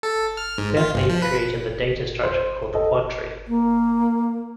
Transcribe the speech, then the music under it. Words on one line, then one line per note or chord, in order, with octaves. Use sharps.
Bentley created the data structure called the quadtree.
A4
F6
G#2
F4
G1
F3
B4
C5
A4 D#5
A#3